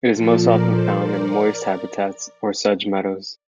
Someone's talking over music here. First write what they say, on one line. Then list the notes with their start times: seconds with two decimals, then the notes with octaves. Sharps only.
It is most often found in moist habitats or sedge meadows.
0.12 A#2 F3 F4 A4
0.41 A#4 D5
0.70 A4 C5
0.98 A#4 D5